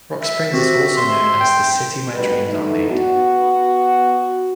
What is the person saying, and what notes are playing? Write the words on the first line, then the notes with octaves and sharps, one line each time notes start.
Rock Springs is also known as the "City Where Dreams are Made".
E5
C4 F#4 G4
C6
G5
D2 B2 D#3 G3 A3 B4
D3 E3 A3 D#4
B3 F#4